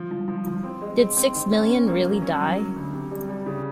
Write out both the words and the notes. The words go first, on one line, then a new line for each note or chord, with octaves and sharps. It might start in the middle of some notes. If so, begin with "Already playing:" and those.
Did Six Million Really Die?
Already playing: F3
F3
F3
F3
C4
G#3
C4
C4
D#3
C#4
C#4
A#3
F#3
C#4
F#3
F#3
D2
C3
G3
G3
C#3